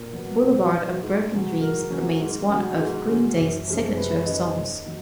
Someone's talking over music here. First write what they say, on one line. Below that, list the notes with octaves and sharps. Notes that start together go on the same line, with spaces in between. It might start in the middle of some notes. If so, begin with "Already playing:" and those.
"Boulevard of Broken Dreams" remains one of Green Day's signature songs.
Already playing: A#2 A#4
F#3 B3
A#2
F#3 B3
G#2
F#3 C#4
G#2 A#4
F#3 C#4
G#2
F#3 C#4
G#2
F#3 C#4
F#2
F3 G#3 C#4
F#2 B4
C#5
F3 G#3 C#4 D#5
D#2
D#3 F#3